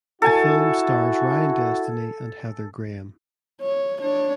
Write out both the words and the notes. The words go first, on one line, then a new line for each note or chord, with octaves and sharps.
The film stars Ryan Destiny and Heather Graham.
E4 F#4 A4 G#5 A5
C#5
D4 C#5